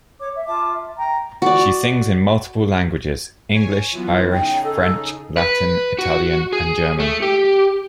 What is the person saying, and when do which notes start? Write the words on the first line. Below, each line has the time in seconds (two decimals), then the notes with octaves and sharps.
She sings in multiple languages: English, Irish, French, Latin, Italian and German.
0.19 C#5 D6
0.34 E5
0.47 F4 A5 D6
0.72 E5
0.96 G5 A#5
1.42 F#4 D5
3.53 C#5 G#5
3.92 E3 F#3 B3 F4
4.31 C#3 D#4 G#4 G5
4.64 A4
5.37 B4
5.99 F#4
6.53 G#4
7.00 A3
7.22 G4